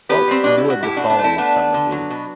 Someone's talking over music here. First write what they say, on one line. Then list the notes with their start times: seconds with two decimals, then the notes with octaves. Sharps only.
What would the following summer be?
0.09 B3 G4 B4
0.28 G3 C4
0.44 B2 D4
0.58 E4
0.64 B2
0.70 F#4
0.82 A2 E4 G4
0.96 A3 D4 F#4
1.10 B3 D4
1.19 A3
1.24 C4 E4
1.38 A3 B3 D4
1.56 A3
1.74 D3
1.92 F#3
2.10 B2